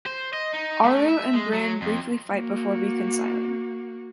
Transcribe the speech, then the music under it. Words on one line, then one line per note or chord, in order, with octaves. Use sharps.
Aru and Brynne briefly fight before reconciling.
C5
D#5
D#4
A3
E5
G#3
F#3
F2
A#3 F#4